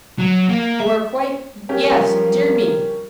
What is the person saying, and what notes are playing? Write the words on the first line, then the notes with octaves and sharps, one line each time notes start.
You are quite--yes--dear me!'
F#3
A#3
E5
F3 G3 C#4 G4 A#4